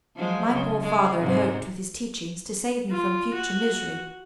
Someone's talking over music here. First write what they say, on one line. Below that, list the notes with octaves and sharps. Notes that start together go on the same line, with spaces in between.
My poor father had hoped, with his teachings, to save me from future misery.
F3 F#3 G#3
C#3
G#3
G#2 C3
F4
F#4